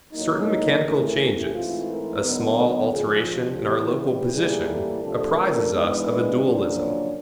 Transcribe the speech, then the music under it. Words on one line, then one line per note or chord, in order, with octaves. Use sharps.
Certain mechanical changes, a small alteration in our local position apprizes us of a dualism.
A2 F#3 A#3 D#4
A#4
A2 E3 A3 C#4 A#4
G4
G#2 E3 A3 C4 F4
A#4
D3 F#3 B3 D#4
A4
F2 D3 F3 G#4
G4
E2 C3 E3 G4
G4
A2 E3 G3 A#3 G#4
A4
C3 F3 A3 D4 A4
A#4
G#2 E3 G#3 B3 D4 A#4
B4
F#2 C#3 F3 A#3 D4 C5
C#5